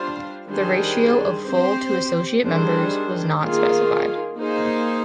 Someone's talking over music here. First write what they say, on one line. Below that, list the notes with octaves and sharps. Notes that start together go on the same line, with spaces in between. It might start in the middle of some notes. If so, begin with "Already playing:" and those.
The ratio of full to associate members was not specified.
Already playing: G3 D4 F4 C5
D#3 G3 D4 G#4 C5
C4 G4 C5
D#3 G3 D4 G#4 C5
D#3 A#3 F4 G#4
A#3 D#4 G#4 C5